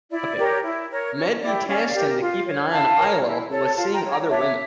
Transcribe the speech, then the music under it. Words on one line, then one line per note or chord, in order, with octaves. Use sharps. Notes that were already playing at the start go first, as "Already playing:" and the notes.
Medb tasked him to keep an eye on Ailill, who was seeing other women.
E4 D5
G4 A#4 C#5
E4
A#4 C#5
C#4 C#5
E4 G4 D5
C#4 D5 F5
G4 A#4
F4
C#5
E4 F5 A5
A#4 C#5
E4
A4 C#5
F4 F5 A5
G5 A#5
C#5
G5 A#5
D4 C#5 E5